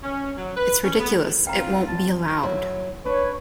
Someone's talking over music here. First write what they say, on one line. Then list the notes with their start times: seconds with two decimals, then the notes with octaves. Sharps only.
It's ridiculous; it won't be allowed.
0.02 C#4
0.38 F#3
0.56 B4
0.84 C#4
0.99 B3
1.47 D2 C4 F4 F5 G5 A#5
1.88 A5
2.42 F#3 E4
3.05 D4 B4 C#5 C#6